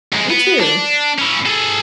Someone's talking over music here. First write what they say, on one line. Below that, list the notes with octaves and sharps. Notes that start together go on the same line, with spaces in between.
You, too.
F#2 G#3
B3
D4
C#4 E4
G#4 A4